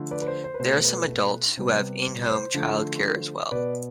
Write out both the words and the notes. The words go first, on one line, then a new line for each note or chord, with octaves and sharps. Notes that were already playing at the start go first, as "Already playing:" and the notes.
There are some adults who have in-home childcare as well.
Already playing: D3 F3 A3
B4 D5
B4
C5
C5
B4
B2 A3 C5
B4
C3 G3 B3
C5
D3 F3 A3
B2 B3 B4 D5